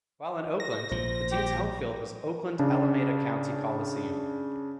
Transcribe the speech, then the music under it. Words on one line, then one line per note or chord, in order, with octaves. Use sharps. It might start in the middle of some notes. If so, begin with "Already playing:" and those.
While in Oakland, the team's home field was Oakland-Alameda County Coliseum.
A#6
A#1 F3 C5
G4
C#3 D4